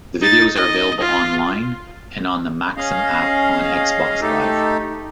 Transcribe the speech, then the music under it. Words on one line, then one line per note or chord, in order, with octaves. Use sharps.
The videos are available online and on the Maxim app on Xbox Live.
D#4 A6
D#5
F4
C#4 G#4 D#5 F5
A3 D#4 G4 A4